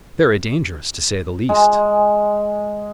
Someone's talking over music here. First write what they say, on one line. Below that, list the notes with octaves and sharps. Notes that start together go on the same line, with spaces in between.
"Very dangerous, to say the least."
G#3